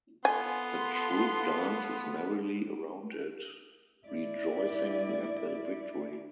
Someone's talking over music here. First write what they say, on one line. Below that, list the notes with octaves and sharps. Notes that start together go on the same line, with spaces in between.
The troop dances merrily around it, rejoicing at the victory.
B3 F4 A4 G#5 C6
E4 D5